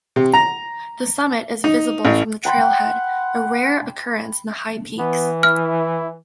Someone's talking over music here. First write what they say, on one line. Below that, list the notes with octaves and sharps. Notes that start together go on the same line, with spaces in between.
The summit is visible from the trailhead, a rare occurrence in the High Peaks.
C3
A#5
D#4
A1
F#5 G5 B5 C6
E3 B3
E4 F6